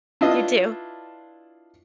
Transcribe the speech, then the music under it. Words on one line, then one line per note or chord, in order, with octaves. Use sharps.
You, too.
D4 E4 F4 B4 D#5